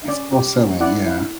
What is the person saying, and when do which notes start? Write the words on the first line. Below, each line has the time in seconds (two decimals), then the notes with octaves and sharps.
It's for selling, yeah.
0.08 C#4 D5
0.32 G4
0.57 C#4
0.81 E4 D5 F#5
1.05 E4